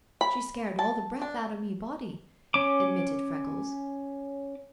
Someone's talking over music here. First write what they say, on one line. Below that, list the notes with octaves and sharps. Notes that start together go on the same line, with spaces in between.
"She scared all the breath out of me body," admitted Freckles.
B5
A5
D4
C#4 D6